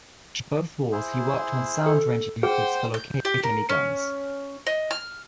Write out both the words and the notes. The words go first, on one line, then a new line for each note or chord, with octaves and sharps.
During both wars he worked on sound ranging methods for locating enemy guns.
E4 G#4 C5
A4
G#4 C5 F#5 G5 C6
G6
G4
A#4
C#4
D#5
F6